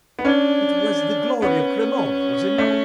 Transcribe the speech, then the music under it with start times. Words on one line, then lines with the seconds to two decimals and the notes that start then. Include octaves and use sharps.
It was the glory of Cremona, was it not?
0.19 B3
0.25 C#4 D4
1.42 B3 C#4
2.58 A3